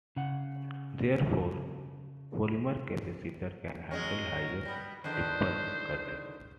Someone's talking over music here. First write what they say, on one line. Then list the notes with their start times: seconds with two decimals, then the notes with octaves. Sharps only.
Therefore, polymer capacitors can handle higher ripple current.
0.16 C#3 F#5
3.91 F#3 G#3 C#4 A#4
4.65 G3 B3
5.04 E2 D3 D#3 C5